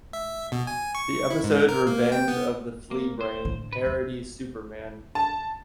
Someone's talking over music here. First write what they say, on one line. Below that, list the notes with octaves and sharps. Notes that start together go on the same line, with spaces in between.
The episode "Revenge of the Fleabrain" parodies Superman.
E5
B2
G#5
C#6
E4
G#2
A#4
A#3
G5
B3
A#3
C5
A2 D3
B4
E2
A5